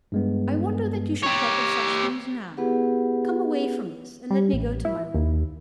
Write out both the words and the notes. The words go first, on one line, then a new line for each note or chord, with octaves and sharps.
I wonder that you should talk of such things now. Come away from this, and let me go to my room.
G2 G#3 B3
G4 C#5
B3 E4 G4 G#4 B4 F#5
G3
A1
E4
D#2